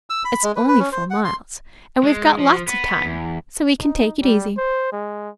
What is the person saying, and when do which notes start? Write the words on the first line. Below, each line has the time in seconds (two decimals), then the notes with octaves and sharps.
It's only four miles, and we've got lots of time, so we can take it easy.
0.10 E6
0.25 B5
0.43 G#3
0.56 B4
0.68 B4
0.80 C#4
0.92 C5
1.10 F#5
1.24 C6
2.03 G#3
2.39 F3
2.68 B3
3.04 E2
3.81 D#4
4.22 G3
4.57 C5
4.92 G#3